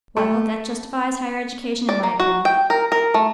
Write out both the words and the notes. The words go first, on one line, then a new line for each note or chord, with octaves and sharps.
Well, that justifies higher education in my opinion.
A3
D5
A#3
F#4
G5
A#4
A#4
A3